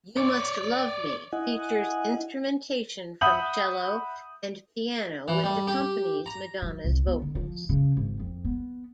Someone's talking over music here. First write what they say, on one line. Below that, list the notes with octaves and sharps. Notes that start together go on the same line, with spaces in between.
"You Must Love Me" features instrumentation from cello and piano which accompanies Madonna's vocals.
C#5 D5
E4 D#5 F#5 G#5
E5 F#5 B5 D#6 G6 F#7
E3
G3
G4
A#5
F#3
C2
B3
D3
F3
C#3
G#1
F2
B3